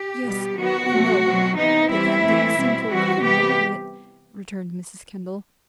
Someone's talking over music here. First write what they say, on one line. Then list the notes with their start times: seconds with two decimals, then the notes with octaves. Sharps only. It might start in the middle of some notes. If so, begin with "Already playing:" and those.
"Yes, I know, but that didn't seem to occur to Margaret," returned Mrs. Kendall.
Already playing: G4
0.23 B2 G3 B3
0.56 D#3 F#3 B3 F#4
0.90 C3 F#3 A3 C4
1.23 B2 F#3 C4
1.56 C3 E3 B3 D#4
1.89 E3 G3 C4 E4
2.22 A2 E3 A3 C4
2.55 B2 G3 C4
2.88 E3 G3 C4 F#4
3.22 C3 E3 G3 B3 G4